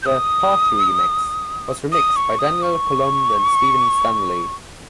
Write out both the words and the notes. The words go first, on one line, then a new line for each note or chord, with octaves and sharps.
The 'Party Remix' was remixed by Daniel Coulombe and Steven Stanley.
G6
D#6
D#6
C#6
D#6
C#6